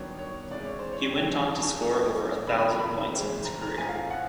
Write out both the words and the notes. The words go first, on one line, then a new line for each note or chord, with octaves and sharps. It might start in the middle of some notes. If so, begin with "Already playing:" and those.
He went on to score over a thousand points in his career.
Already playing: G2 D#3 F#3 B3 D4 C#5
C#5
C3 E3 G#3 D5
C#5
C5
C#5
G#2 E3 A3 C#4 G5
G#5
A5
A#2 F#3 A#3 D4
F2 C3 D#3 G#3 B5
B5
A#5
B5
E2 C#3 E3 G#3 C4
A#5
A#5
A2 F3 A3 G#5
F5
F#5